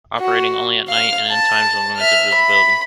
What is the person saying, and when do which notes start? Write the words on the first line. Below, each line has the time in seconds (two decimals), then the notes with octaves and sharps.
Operating only at night and in times of limited visibility.
0.20 F#4
0.88 F5 F6
1.28 A5
1.97 E5 F6
2.35 B5